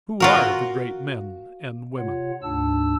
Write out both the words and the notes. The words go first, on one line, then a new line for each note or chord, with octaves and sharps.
Who are the great men and women?
F4 F#4 A#4
C3 F4 C#5 F#5
D2 G#2 D4 A5 E6